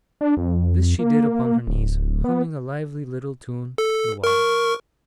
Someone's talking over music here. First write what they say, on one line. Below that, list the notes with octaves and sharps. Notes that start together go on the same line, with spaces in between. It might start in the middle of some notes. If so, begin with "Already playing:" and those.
This she did upon her knees, humming a lively little tune the while.
D4
F2
A#3
D1
B3
A4
A#4 C#6